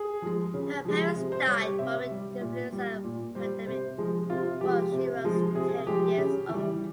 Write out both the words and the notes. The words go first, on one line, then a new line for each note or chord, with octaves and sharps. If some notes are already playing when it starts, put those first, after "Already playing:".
Her parents died from an influenza pandemic was she was ten years old.
Already playing: G#4
F3 G#3
C#3
F3 G#3
C3
C5
G3 C#5
G4
C3 E5
G3
A#2
G3
A#2
G3 C5
C3 C5
F3 G#3
C3 F4
F3 G#3 G4
C3
F3 G#3
C3 G#4
F3 G#3 G4
C#3
E3
G3